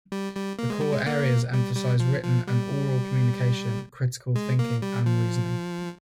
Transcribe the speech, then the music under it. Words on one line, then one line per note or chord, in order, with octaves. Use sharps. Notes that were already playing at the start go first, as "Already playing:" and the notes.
The core areas emphasize written and oral communication, critical thinking and reasoning.
G3
G3
A#3
G#3
G3
G#3
A#3
G3
G3
F3
F3
G3
G#3
A#3
G3
F3